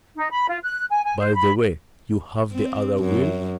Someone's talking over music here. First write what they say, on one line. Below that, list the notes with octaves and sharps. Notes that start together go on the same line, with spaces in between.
"By the way, you have the other will?"
D#4
B5
F4
F#6
G#5
G#5
C5
B5
C4
F#2